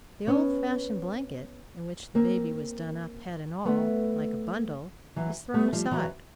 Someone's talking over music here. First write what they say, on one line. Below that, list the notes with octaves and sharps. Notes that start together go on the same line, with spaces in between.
The old-fashioned blanket, in which the baby was done up head and all, like a bundle, is thrown aside.
B3 C#4
A#3 C4
A3 B3
E3 F#3
G3 A3
F3 G3
E3 F#3